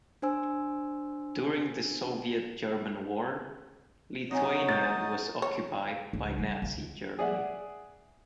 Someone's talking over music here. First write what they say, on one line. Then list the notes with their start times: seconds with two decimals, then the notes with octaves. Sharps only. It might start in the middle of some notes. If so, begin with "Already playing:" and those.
During the Soviet-German War, Lithuania was occupied by Nazi Germany.
0.22 D4 C5 G#5 E6
4.31 F#3 C4 D#4 C#5 G#5 D#6
4.69 G6 A6
5.42 C#5
6.13 C#2
6.38 G3
6.62 D2
7.19 G#4 D5 E5 F#5